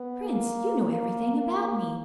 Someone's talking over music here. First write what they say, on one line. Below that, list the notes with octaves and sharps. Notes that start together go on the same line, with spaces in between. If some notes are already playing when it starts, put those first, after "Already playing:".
"Prince, you know everything about me."
Already playing: B3
A#3
A#3
A#3